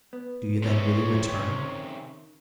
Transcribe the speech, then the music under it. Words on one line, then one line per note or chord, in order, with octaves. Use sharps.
"Do you, then, really return?"
B3
C3 G3 B3 C#4 E4 C#5
D#3